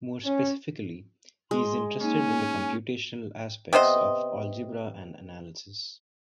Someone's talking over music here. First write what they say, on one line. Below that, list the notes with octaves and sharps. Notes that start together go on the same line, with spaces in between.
More specifically, he is interested in the computational aspects of algebra and analysis.
C#4
G#3 C6
A#3 C#4 D#4 G#5
C3 B3 C5 D#5